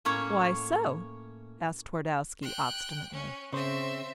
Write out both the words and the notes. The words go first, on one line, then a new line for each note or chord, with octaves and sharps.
"Why so?" asked Twardowski, obstinately.
A2 A#3 C#4 C#5
G5 F#6
C#4
C#3 C4 C5 E5